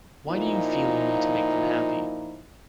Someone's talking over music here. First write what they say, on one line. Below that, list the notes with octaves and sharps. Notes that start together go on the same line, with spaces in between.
Why do you feel you need to make them happy?
A#2 F3 D#4 E4